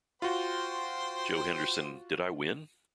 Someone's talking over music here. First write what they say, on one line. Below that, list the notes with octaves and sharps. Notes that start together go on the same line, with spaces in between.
Joe Henderson, Did I win?
F4 F#4 C5 G5 C6